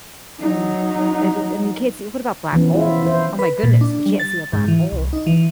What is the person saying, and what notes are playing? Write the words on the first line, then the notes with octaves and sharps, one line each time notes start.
And and and you can't see what about black holes? Oh my goodness, you can't see a black hole.
F#3 D#4
E3 F3 B3 C#4
E4 F4
E4 C5
B4
A#2
D4
G3
A6
G#2
E3
C2
D#4
E3